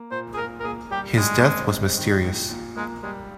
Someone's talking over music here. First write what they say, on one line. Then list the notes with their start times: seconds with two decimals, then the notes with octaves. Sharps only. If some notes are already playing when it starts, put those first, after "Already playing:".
His death was mysterious.
Already playing: A#3
0.11 A#2 C5
0.34 G#4
0.37 A#2 A#4
0.60 A#4
0.64 A#3 G#4
0.91 G3 G4
1.17 G2 G#3
1.44 C4
1.71 G#3
1.97 D#3
2.24 A#2
2.50 A#2
2.77 G#3 A#3
3.03 G3 G#3